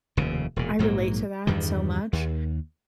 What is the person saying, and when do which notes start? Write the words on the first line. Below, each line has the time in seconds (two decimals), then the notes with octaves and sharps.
I relate to that so much,
0.17 F1 D#2 C#3
0.56 E1 A#2
0.79 A#1 G#2 F#3 A#3
1.47 E2 G2 D#3 G3
2.13 D#2